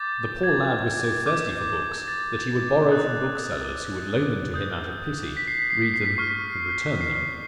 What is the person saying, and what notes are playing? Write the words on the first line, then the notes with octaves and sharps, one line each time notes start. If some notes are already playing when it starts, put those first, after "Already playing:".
The poor lad was so thirsty for books that he would borrow from booksellers who would loan them to him out of pity, read them and return them.
Already playing: D6 G6 A6
G#6
D6 G6
A6
D#6 F#6
D#6 G6
B6
C7
B6
C7
B6
C7
B6
C#6 F6 C7
B6
C7